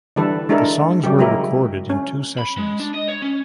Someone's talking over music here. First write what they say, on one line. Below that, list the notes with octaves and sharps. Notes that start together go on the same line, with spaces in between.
The songs were recorded in two sessions.
D3 E3 G3 A4 B4
G#3 D4 E4 A4 A#4
C#3 F#3 G3 G4
F#3 G#3 E4 A#4
C#4
B5
G#3
D4
D#5
C#5
C#4